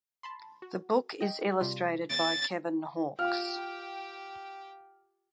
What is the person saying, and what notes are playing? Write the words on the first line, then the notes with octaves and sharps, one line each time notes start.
The book is illustrated by Kevin Hawkes.
A5 B5 C6
F#4
D#5 G5
C3 G3 F4
E2 A6 D7
F4 G4 F5 G5 F6